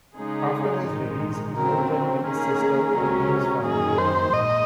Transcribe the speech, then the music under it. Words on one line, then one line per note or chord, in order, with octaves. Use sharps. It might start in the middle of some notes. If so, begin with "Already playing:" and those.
After his release, he moved in with his sister Eileen's family.
C#3 G#3 D#4 G#4
A#1 G#2 D#3 G#3 D#4
D#2 C#3 F#3 C4 A#4
A#4
D#3 A#3 C#4 G#4 A#4
C#2 C3 F#3 C#4
F#2 D#3 A#3 G#4
C5
A#1 G#2 D#5